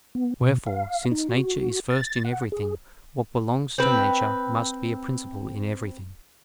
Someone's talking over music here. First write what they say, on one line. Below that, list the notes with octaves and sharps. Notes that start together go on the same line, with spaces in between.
Wherefore, since nature is first in everything, what belongs to nature must be a principle in everything.
B3
B2
F5
D#4
F#4
A6
F#5
G#4
C4 B4